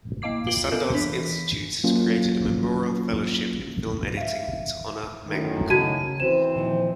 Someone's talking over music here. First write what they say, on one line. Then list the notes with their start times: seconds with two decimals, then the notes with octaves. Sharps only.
The Sundance Institute has created a memorial fellowship in film editing to honor Menke.
0.22 A#3 D#5 F5 D6 C7
0.47 F4 F5 D7 F#7 G7
0.72 B3 A4 A#4
0.93 E3 D4 B6
1.84 F#3 A#3 C#4 F4
4.17 E5 F5
5.28 F#2 A2 D#3
5.70 C#3 F#4 A5 G#6 D#7
6.20 E3 C4 F#4 C5 E7
6.55 A#2 D#3 F3